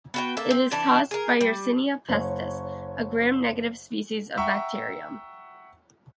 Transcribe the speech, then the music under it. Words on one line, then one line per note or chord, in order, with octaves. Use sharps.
It is caused by "Yersinia pestis", a gram-negative species of bacterium.
B3 F#4 G5
A#3 A4 E5
C4
E3 D4 A5
G#4 A#4
G3
F#1 C#5
E5 F#5 G5 A#5 C#6 E6